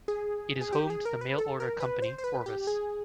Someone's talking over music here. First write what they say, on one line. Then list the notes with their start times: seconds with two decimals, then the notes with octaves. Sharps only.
It is home to the mail-order company Orvis.
0.08 G#4
0.61 G#4
0.73 G4
0.90 G#4
1.05 A#4
1.21 B4
1.38 A4
1.60 A#4
1.80 B4
2.02 C5
2.18 C5
2.24 B4
2.46 G4
2.67 G#4